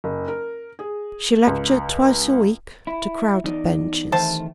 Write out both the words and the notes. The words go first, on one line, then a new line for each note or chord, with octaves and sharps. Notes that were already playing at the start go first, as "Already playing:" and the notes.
She lectured twice a week to crowded benches.
F#1
A#4
G#4
C#2
E4
E2 D#4 D5
C3 D#3 E3 A3 C5 A5